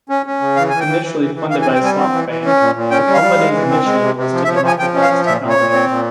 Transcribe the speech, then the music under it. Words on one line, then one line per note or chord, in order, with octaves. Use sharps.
Initially funded by SoftBank, the company's mission was to democratize technology.
C#4
C#4
C#3
E3 F5
E3 G#5
G5
E3
E3
E3
E3
E3 F5
G#5
C4
G5
G3 G#5
C4
E3
E3
C#4
A#2
A#2
C#4 G5
G3
F5
G3
G#3
E3
C4
G#3
C3
C3
F3
E5
F3
C#5
F3 G#5
F3 G5
C#4
F5
F3
A#2 E5
A#2
C#5
A#2
C4
A#2